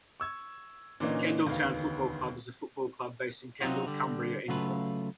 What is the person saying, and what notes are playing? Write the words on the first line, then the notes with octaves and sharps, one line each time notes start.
Kendal Town Football Club is a football club based in Kendal, Cumbria, England.
C#6 E6 G#6
A#2 D3 E3 A#3 C#4 D#4
E1 D2 D#3 B3 F5
C3 F#3 C4 D#4 F4 F#4
D3 G3
C#3 F#3 A3 F4 B4